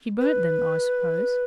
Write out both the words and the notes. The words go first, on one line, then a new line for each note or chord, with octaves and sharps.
She burnt them, I suppose.
B4